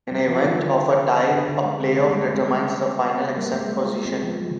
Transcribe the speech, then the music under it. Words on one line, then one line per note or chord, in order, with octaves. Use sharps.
In the event of a tie, a playoff determines the final exempt position.
G3
F3
D3
D3
D3
G#3
G#3 C4
G3 A#3
G#3
G#3 C4
G3 A#3
G#3
G#3
G#3 C4
F3
G3